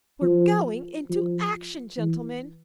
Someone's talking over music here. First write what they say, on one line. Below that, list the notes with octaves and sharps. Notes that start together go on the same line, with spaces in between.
"We're going into action, gentlemen!"
F3
F3
E3